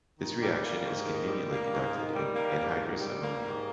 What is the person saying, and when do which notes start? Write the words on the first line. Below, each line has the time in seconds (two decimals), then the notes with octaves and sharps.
This reaction is conveniently conducted in anhydrous ammonia.
0.20 D#3
0.42 G3
0.63 A#3
0.85 G#2
1.06 D#3
1.27 G3
1.49 A#3
1.71 G#2
1.92 D#3
2.14 G3
2.35 A#3
2.57 G#2
2.78 D#3
3.00 G3
3.21 A#3
3.43 G#2